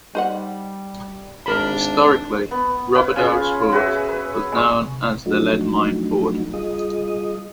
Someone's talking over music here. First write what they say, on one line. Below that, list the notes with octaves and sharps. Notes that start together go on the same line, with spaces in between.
Historically, Roberdeau's fort was known as the "Lead Mine Fort".
G3 D#4 C5 F#5
G#1 D4 A#4 B5
B3
B4 C#5 F5
C#4 F4 G#4
F#4 G#4 B4 E5
B4
G#3 C#6
C3
F3 F#3 A3 D4 D#4 F#4
G3 F4 G#4 D#5 D#6